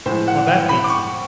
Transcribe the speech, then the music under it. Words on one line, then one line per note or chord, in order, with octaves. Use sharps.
Well, that beats me.
A2 F3 G#3 C5
F#5
G5
B5
D6
C#6